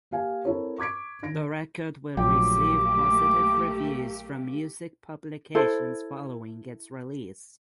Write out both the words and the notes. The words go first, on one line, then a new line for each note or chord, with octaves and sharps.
The record would receive positive reviews from music publications following its release.
A#3 G4 F5 G#5
C4 E4 A4 A#4 C#5
C#6 D6 G#6 B6 D7
D#3 A#6 D7
A#1 F#3 A3 A#3 G4 G5 D6
E4 A4 C5